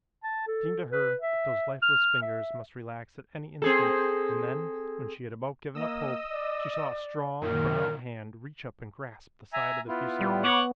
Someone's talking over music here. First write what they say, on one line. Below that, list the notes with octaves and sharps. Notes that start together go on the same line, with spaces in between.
It seemed to her that those lifeless fingers must relax at any instant and then, when she had about given up hope, she saw a strong brown hand reach up and grasp the side of the fuselage.
A5
A4
B4
E5
F6
E5
C4 G#4 A4
A#3 D#5 D#6 E6
D5
F#2 A#2 D#3 A#4
E5 G#5 A#5
B3 E4 F4
G3
B3 C#5 F#5 D6